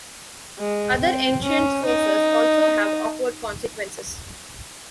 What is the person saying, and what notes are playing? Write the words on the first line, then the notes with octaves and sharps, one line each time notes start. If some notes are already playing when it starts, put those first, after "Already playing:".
Other ancient sources also have awkward consequences.
G#3
C4
C#4
D#4